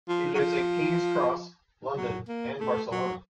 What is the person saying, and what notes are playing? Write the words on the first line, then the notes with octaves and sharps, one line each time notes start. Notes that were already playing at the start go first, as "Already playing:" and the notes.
He lives in King's Cross, London and Barcelona.
F3
F#3
F3
F#3
A#3
A3
F#3